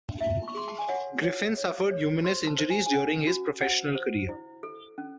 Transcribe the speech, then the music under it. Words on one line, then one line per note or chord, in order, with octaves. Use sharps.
Griffin suffered numerous injuries during his professional career.
E4 E5
C#6
G#4 C6
A5
G#5
C#5 F#5
C#5
C#5
C#5
C5 C6
A5
C5
G#5
G#5
C#4 F#5
F#4
C5 F#5
C5
E4
A4
C#4